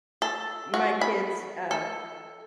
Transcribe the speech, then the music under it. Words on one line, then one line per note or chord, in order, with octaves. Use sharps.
my kids, uh
A4
F#4
B5
A4